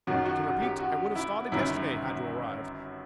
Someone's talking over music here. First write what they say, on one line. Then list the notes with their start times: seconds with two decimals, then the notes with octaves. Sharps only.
To repeat, I would have started yesterday, had you arrived.
0.07 F#1 F#2 D#3 F#3 F#4
0.26 F#4
0.43 F#4
0.62 G4
0.80 F#4
1.15 E4
1.52 G1 F#2 D#3 F#3 E4